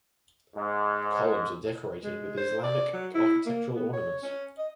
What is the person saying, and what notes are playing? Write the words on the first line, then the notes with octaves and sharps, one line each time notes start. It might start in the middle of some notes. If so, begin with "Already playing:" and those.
The columns are decorated with Islamic architectural ornaments.
G#2
G#3
C5
D5
F#3
E4
A#3
B3
C#5
C#4
D#5